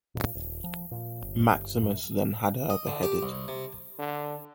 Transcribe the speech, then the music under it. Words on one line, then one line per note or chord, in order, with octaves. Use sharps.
Maximus then had her beheaded.
A#2
D#1
F3
A#2
G1
G1
F#2
D#5
D3
G4
C2
C3
D3